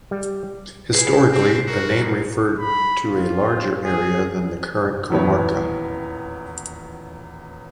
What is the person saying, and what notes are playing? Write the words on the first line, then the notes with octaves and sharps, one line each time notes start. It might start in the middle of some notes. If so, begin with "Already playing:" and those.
Historically, the name referred to a larger area than the current comarca.
G3
E4 G#4 B4 C7
C4 E6
F#4 A#4
B5
F4
G#4
D#1 A1 E2 B3 E4 C#5